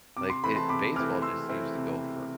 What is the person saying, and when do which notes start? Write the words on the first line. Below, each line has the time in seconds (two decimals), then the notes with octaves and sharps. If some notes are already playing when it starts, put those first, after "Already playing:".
like, it baseball just seems to go for
0.17 C3 D6
0.30 C6
0.44 E3 A3 C4 E4 B5
0.56 A5 C6
0.69 C3 B5 D6
0.95 E3 A3 C4 E4 D6 F6
1.22 C3 C6 E6
1.49 E3 A3 C4 E4
1.76 C3